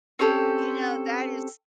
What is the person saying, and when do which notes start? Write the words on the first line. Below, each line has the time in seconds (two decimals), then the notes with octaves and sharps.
You know, that is
0.19 C4 C#4 G4 A4